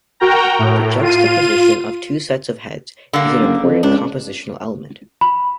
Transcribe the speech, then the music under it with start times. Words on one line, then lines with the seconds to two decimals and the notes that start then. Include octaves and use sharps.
The juxtaposition of two sets of heads is an important compositional element.
0.20 F#4 A#4 G5 A#5
0.59 A2
1.01 F4 D#7
3.13 D3 G3 A#3
3.41 F#1
3.63 F2
3.83 C#2 D4
5.21 B5